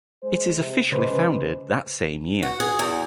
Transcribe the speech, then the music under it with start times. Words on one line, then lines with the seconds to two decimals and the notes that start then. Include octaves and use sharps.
It is officially founded that same year.
0.23 G#3 C5
0.56 C3
0.92 C#3 G#3 B4 C5
2.43 F#4
2.60 G#4
2.79 E2